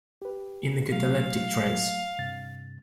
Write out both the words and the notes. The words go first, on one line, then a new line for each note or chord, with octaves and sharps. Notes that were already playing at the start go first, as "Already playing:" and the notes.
In a cataleptic trance.
G4 B4
F#3 A3 F5
G2 C3 A6